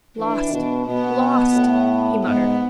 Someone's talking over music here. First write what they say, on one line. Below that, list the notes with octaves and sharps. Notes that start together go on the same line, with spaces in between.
"Lost! lost!" he muttered.
E3 D4
B2
B2 B3
A2
G#2 B3